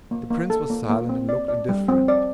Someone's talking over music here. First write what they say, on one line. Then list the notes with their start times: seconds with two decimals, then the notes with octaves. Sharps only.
The prince was silent and looked indifferent.
0.11 A#3
0.30 A#3
0.50 A4
0.70 A#3
0.90 A#3
1.09 C4
1.29 D5
1.48 D5
1.69 G3
1.88 C4
2.08 D5